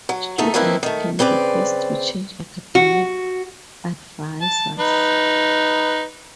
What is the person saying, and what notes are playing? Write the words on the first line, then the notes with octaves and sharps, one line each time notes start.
Students can request to change academic advisors.
F#3
E2 D#3 A3 D#4
D#3 F3 A#3 C4 E4 B4
D#3 A3
C#3 C4 B4 D5
F#4
A5
D#4 B4